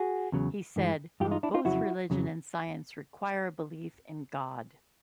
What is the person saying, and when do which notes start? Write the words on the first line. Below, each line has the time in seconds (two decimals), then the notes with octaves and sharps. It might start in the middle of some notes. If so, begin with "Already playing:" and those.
He said: Both Religion and science require a belief in God.
Already playing: F#4 G#4
0.32 E2 C#3 F#3
0.76 G2 E3 G#3
1.20 G2 E3 G#3 F4 G4
1.31 D#4 F4
1.43 D4 E4
1.54 D#4 F4
1.65 F2 C#3 F#3 E4 F#4
2.10 F2 C#3 F#3